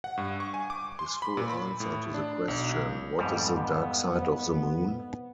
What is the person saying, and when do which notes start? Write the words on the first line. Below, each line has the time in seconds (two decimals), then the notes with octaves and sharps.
His full answer to the question What is 'the dark side of the moon'?
0.04 F#5
0.17 G2
0.40 C#6
0.54 G#5
0.70 D6
0.99 C6
1.22 B5
1.37 A#2
1.50 B5
1.80 A2
2.14 D4
2.48 B1
3.19 F2 G#2 G3 B3